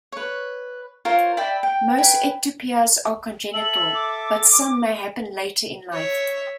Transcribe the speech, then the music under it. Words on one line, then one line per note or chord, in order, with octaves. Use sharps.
Most ectopias are congenital, but some may happen later in life.
B4 C#5
F4 A#4 C5 C#5
D5 E5 G5 B5
G5
B4 G5 G#5
A4 E5 F#7
D6
C#5 E5